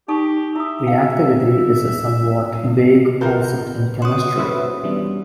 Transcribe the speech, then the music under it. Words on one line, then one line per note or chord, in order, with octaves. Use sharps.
"Reactivity" is a somewhat vague concept in chemistry.
D#4 G4 A4 C#6
E4 E5 D#6
F5 G5
F4 F#4 A#4 B4 G6
C#4 F#4 C6 D#6
C#4 F#4 B4 C5 E5
E3 G3 B3 D4